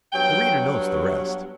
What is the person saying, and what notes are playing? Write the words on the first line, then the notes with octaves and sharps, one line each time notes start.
The reader knows the rest.
G2 F#3 B3 G5